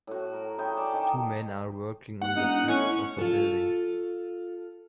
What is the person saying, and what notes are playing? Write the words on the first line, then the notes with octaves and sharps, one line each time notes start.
Two men are working on the bricks of a building.
A2 F#4
A#4
E4 G#4 C#5 G5
D5 A5
D#3
D#2 F#5
E1 D#4
A2 C#4 C#6
F4 A4